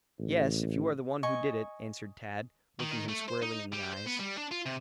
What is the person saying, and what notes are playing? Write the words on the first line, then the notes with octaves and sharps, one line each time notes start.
"Yes, if you are the one who did it," answered Tad, looking him squarely in the eyes.
A1
D#5 G#5 C#6
D#3
D#3
A3
C5
D#4
G3
C5
B3
G3
D4
F4
C3